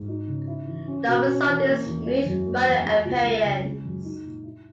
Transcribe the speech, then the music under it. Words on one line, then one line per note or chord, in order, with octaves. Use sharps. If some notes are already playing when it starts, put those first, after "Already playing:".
The result is a smooth, rounded appearance.
Already playing: G#2
D#4
C#3
E4
E3
C#4
B2
C#4
E3
A#3
E2
G#3
F#2
A#3
E2
G#3
C#2
G#3
C#3
G#3
F#2
D#4
A#2
E4